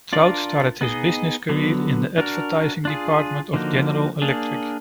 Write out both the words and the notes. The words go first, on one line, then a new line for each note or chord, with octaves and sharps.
Trout started his business career in the advertising department of General Electric.
D4 F4 A#4 D5
B3 D#4 G#4 D#5
D3 F#3 B3
D4 F#4 A#4
D4 F4 G#4
D3 F3 A#3 D#4 F#4
A#3 D4 G#4